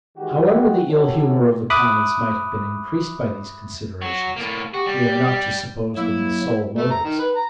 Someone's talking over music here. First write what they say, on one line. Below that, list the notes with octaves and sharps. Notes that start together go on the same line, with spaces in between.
However the ill humor of the commons might have been increased by these considerations, we are not to suppose them the sole motives.
D#3 E3 G#3 F#4 G4
C#4 E4 F#4 G4 A4 C#5
E5 B5 D6 D#6 F#6
F#3
A2 A#3
F#4 G4
G3
F#3 A#3 E4
A3
A#5
D#3
B4
A#5